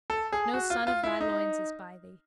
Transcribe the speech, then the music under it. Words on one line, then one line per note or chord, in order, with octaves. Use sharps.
No son of thy loins is by thee.
A4
G#4
F#4
F4
F4
E4
D#4